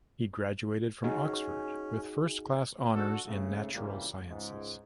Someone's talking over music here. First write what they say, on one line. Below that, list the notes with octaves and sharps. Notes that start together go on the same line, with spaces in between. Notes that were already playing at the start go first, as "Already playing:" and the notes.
He graduated from Oxford with first class honours in natural sciences.
C#4 D#4 F#4 G#4
D4 F#4 A4
G#2 C#3 A3
C2 A#2 C#3 E3 G3 A#3
C#2 G#2